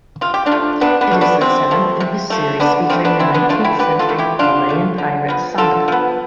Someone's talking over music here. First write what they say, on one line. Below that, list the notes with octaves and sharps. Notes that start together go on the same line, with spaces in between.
It is the seventh in his series featuring the nineteenth century Malayan pirate Sandokan.
C3 F4
G4
D4 F4
F3 A3
C3 B3 D4
B3 D4
F3 A3
B3 D4
C3 C4
F3 A3
C3
F3 A3
D3 B3 D4
F3 A3 C4
B3 D4
D3 C4 E4
B3 D4
F3 A3 D4 F4
E4 G4
D3 G4 B4
F4 A4
F3 A3
E4 G4
D3 D4 F4
F3 A3
D3
F3 B3
D3 F4 A4
F3 B3